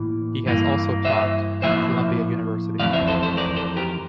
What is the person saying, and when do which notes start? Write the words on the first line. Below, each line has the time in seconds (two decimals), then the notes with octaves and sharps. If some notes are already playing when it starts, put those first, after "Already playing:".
He has also taught at Columbia University.
Already playing: A2 E3 A#3
0.46 G2 E3 A#3
1.05 C5 E5
1.62 A2 F3 A#3 C5 E5
2.79 F2 E3 A3 D5 F5
2.93 C5 E5
3.08 A4 C5
3.23 A4 C5
3.37 A#4 D5
3.56 A4 C5
3.76 G4 A#4